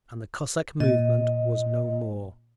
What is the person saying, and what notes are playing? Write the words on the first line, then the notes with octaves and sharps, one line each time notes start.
And the Cossack movement was no more....
A#2 D#5